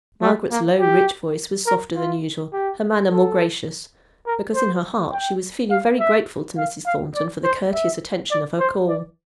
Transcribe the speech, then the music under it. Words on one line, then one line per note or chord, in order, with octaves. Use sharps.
Margaret's low rich voice was softer than usual; her manner more gracious, because in her heart she was feeling very grateful to Mrs. Thornton for the courteous attention of her call.
A3
A#3
G4
A#4
F4
G4
A4
A#4
C5
G5
F5
E5
F5
F5
D5
C5
E5
D5
C5
D5